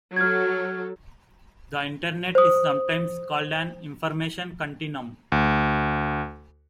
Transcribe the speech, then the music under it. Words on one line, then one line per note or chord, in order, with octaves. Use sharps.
The Internet is sometimes called an 'Information continuum'.
F#3 A4 F6 G#6
C5 D#6
D2